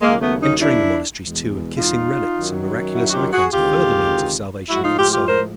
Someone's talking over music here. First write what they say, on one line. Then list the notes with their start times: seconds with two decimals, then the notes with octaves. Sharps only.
Entering monasteries too and kissing relics and miraculous ikons, are further means of salvation for the soul.
0.01 D#2 C#3 F#3 G#3 A#3
0.21 A3 B3
0.40 C#4 D#4
0.60 D4 E4
1.18 E2 B2 G#3
1.77 D#4 F4
2.35 F#2 D#3 F#3
2.93 E4 F#4
3.08 F#4
3.13 F4 G4
3.32 F#4 G#4
3.52 D2 C3 D#3 G#3 F4 G4
4.68 A2 F3 G#3 E4 F#4
4.83 D#4 F4
4.97 F4 G4
5.12 F4 G4
5.27 A#4 C5